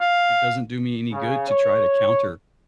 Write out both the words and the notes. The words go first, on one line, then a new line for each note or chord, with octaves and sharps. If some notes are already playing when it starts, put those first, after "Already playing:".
It doesn't do me any good to try to counter,
F5
C#3
C#5